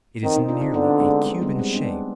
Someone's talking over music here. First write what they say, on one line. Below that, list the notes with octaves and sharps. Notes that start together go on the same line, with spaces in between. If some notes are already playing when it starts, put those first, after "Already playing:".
It is nearly a cube in shape.
D#3 C4 D#4
C4 D#4
D4 F4
C4 D#4
D3 B3 D4
G#3 C4
G#3
G3 B3
G#3 C4
B3 D4